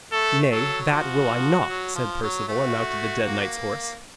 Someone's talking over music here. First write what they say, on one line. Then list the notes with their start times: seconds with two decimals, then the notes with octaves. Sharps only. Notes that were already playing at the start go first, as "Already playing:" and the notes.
'Nay, that will I not,' said Perceval, and mounted the dead knight's horse.
0.12 A3 A4
0.51 F#3 A4
0.90 F3 F#4
1.69 F#3
1.95 F3
2.22 F#3
2.47 A3 F#4
3.26 A#3